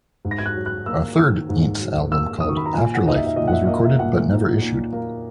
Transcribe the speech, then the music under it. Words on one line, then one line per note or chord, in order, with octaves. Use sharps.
A third Aints album called "Afterlife" was recorded but never issued.
G#2
A#6
G#6
F#6
F#3
F#6
A#3 E6
D#3
G#2
F#3
A#3 E6
D#3 D#6
C#6
B5
A#5
A#2 G#5
F#5
D#4 D#5
E5
E5
A#2 D#5
F#5
E5
A#3 D#5
E5
A#2 F#5
D#4
A#2
A#3